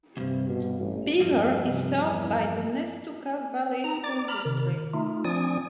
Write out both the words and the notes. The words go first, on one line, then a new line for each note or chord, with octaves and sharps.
Beaver is served by the Nestucca Valley School District.
D2 G2 C3
B2
A1
E2 G2 F3
C3
E2
D#4 A#5
D5 D6
A#5 B5 F6
C3 D#3
A3 D#4 F4
F3 C4 D4 D5 G#5 D#6